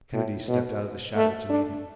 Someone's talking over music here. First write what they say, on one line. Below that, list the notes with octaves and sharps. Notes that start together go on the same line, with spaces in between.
Kennedy stepped out of the shadow to meet him.
A2
B2
A3
D4